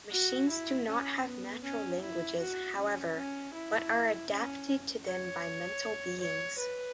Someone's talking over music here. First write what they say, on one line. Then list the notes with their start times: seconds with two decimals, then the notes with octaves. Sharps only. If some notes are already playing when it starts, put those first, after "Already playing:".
Machines do not have natural languages, however, but are adapted to them by mental beings.
0.11 F#4
0.49 E4
0.87 C#4
1.25 B3
1.63 C#4
2.01 E4
2.40 F#4
2.78 C#4
3.16 C#4
3.54 E4
4.30 C#4
5.06 C#5
6.20 C#5
6.58 B4